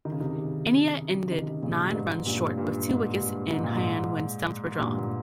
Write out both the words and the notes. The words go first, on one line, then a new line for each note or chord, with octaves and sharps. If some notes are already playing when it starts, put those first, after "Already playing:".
India ended nine runs short with two wickets in hand when stumps were drawn.
D#3
C#3
C3 D#3
C3 D#3
A#2 C#3
G2
G#2
G2 A#2
G2 A#2
G#2
G2
G#2
A#2
G#2
G2 A#2
A#2